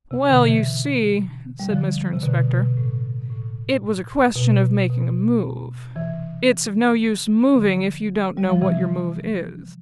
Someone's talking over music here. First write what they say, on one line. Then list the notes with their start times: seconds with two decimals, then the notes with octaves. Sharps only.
'Well you see,' said Mr Inspector, 'it was a question of making a move. It's of no use moving if you don't know what your move is.
0.11 C3
0.29 B2 D3
0.46 C3 E3
1.60 G3
1.70 D3 F3
2.13 C3
2.23 B2 D3
2.50 B2
2.77 A2
3.30 A2
4.36 B2
4.90 B2
5.96 C3 E3
7.56 D3 F3
8.37 G3
8.50 F3
8.62 C3 E3